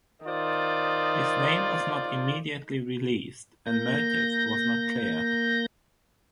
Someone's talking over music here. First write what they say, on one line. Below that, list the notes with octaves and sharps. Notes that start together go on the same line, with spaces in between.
His name was not immediately released and motive was not clear.
D#3 F4 C5 D5
A#3 G6 A#6